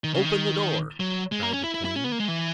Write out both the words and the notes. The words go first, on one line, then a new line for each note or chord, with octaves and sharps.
"Open the door!" cried the queen.
D#3
C#3
D#3
F#3
G#3
A#3
C#4
E4
E4
E4
C#4
B3
A#3
G#3
E3